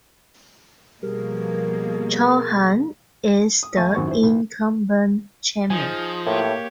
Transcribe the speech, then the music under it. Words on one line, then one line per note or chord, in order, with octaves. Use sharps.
Chauhan is the incumbent chairman.
B2 F3 G3 A#3 G#4 A#4
D#6
F2 A3 A4 E5 G#5 C#6
G#1 F#2 C4 F#4 C#6
E4 C5
B1 E3
F3 D#4 G#4 G#5
A2 A#3 G4 C#5